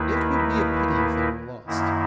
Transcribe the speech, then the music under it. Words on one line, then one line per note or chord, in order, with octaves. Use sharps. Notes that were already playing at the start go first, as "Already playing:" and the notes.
It would be a pity if they were lost.
Already playing: D#2 D#3 A#3 E4 B4
F#2 D#3 A#3 E4